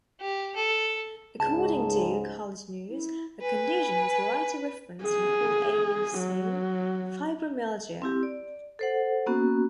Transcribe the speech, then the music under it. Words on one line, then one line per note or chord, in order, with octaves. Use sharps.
According to "College News," her condition was later referenced in Paul Avion's song "Fibromyalgia".
G4
A4
C#2 G#2 G#3 G#4 A5
E4
B4 G#5
G#4
F#3
C4 E4 G4
D5
A4 C5 F#5
A#3 B3 C#4 F#4